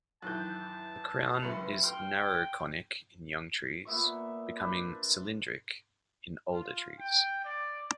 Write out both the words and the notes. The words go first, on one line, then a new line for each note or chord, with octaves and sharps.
The crown is narrow conic in young trees, becoming cylindric in older trees.
F#2 D#3 E3 A5 F#6 G6
F#1 C2 B4 C6 C#7
G5 C6 F6
A#2 B3 E5 C#6
D4 B4 C5
F4
G5
D5